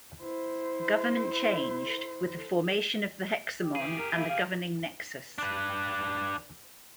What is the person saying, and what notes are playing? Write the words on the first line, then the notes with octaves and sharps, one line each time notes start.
Government changed, with the formation of the Hexamon and the governing Nexus.
E4 C5
G4
E3 G4 G#4
A#4
A#3 E4
F5
D4 B4